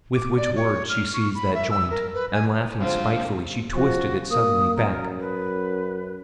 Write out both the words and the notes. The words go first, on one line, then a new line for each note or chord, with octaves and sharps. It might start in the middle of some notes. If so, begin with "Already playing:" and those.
With which words she seized that joint, and laughing spitefully, she twisted it suddenly back.
D6
D5
C#5
F6
C#6
B5
E5
E6
A#4
B4
G#5
C#2 D3 F3 C4 F4
F3 F#4
A#3 D#6
F#2 A#4
B4